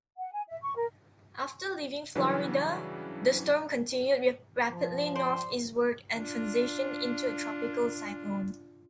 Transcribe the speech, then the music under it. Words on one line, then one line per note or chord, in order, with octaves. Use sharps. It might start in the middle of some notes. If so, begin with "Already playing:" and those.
After leaving Florida, the storm continued rapidly northeastward and transitioned into a tropical cyclone.
F#5
G#5
E5
C#6
A#4
C#3 E3 F#3 G3 D4 B4
F3
C5 D5
D4 F4